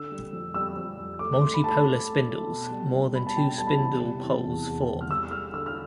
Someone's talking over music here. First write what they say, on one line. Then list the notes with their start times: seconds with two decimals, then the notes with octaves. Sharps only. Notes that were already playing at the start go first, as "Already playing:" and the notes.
Multipolar spindles: more than two spindle poles form.
Already playing: D3 E6
0.12 G3
0.33 F2
0.54 G3 E6
0.77 F2
0.98 G3
1.19 A3 D6
1.41 A3 C6
1.54 B5
1.63 A3 A5
1.85 A3
2.07 A3
2.29 A3
2.50 B2
2.71 G3
2.93 G3
3.15 G3 B5
3.27 A5
3.36 B2 G5
3.58 G3 A5
3.67 B5
3.76 E3 A5
4.01 C3
4.24 E3
4.45 E2
4.67 E2
4.89 E3
5.01 F6
5.10 G3 E6
5.31 G3 F6
5.53 D3 E6
5.66 F6